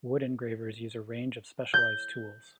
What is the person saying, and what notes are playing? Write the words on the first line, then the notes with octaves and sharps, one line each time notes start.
Wood engravers use a range of specialized tools.
G6